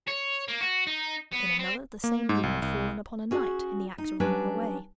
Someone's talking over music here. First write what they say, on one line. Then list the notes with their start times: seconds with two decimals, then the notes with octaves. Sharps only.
In another, the same doom had fallen upon a knight in the act of running away.
0.08 C#5
0.48 A#3
0.61 F#4
0.87 D#4
1.32 B3
1.59 C4
2.04 A#3
2.29 G#2
2.43 C2
2.62 C2
3.31 C#4 F#4 G#4
3.98 D#4
4.20 F#3 G3 C#4 D4 B4